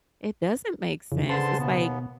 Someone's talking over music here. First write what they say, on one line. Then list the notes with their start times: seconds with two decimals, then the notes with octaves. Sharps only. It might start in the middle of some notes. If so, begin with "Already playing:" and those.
It doesn't make sense. It's, like,
1.12 F2 C#3 E3
1.30 D3 G#4 B4 C5 A5 C6
1.59 D#2 B2 B3